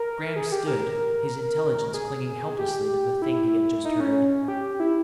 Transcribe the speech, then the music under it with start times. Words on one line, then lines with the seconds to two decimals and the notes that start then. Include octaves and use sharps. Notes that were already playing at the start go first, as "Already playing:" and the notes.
Graham stood, his intelligence clinging helplessly to the thing he had just heard.
Already playing: A#4
0.36 G#4
0.52 G4
0.68 A#4
1.94 G#4
2.59 G4
3.22 E4
3.85 D#4
4.00 C#4
4.48 G4
4.80 E4